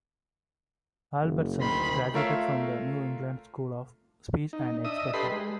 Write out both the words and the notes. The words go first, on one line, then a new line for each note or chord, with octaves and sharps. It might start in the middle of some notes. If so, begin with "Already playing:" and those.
Albertson graduated from the New England School of Speech and Expression.
F#1
D2 D#3 B5 C6
A3 F4 A#4 C#5 E5 F5
D#4
D4 D#5 E5 D#6
G4 A4 B4 D#5 B5 C6
G#3